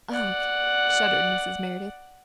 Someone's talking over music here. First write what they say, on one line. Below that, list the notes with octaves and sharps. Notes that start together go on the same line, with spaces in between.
"Ugh!" shuddered Mrs. Merideth.
D5 F#5